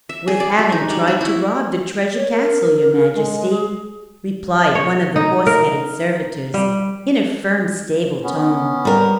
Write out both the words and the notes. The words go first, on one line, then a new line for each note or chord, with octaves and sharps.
"With having tried to rob the treasure castle, Your Majesty," replied one of the horse-headed servitors in a firm, stable tone.
E5
G#4
D5
F#4
D#4
G3
F#4
E4
C#5
A#4
G#3
G#4
C#5
D#4
A#4
G3
B3 C#4
G3 A#4